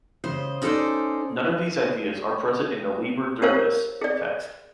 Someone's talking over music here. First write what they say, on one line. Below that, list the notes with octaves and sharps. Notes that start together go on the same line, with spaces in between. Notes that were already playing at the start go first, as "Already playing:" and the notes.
None of these ideas are present in the "Liber Diurnus" text.
C#3 C5 D#5
C#4 D#4 A4 B4 C5 D5
G4 A#4 C5 C#5 F5
G#4 D5